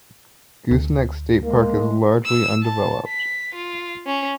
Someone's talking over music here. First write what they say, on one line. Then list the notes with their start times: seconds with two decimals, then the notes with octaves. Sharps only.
Goosenecks State Park is largely undeveloped.
0.71 D2
1.44 G#3 A#3
2.26 E6
2.63 A5
3.08 B6
3.55 F4
4.06 C#4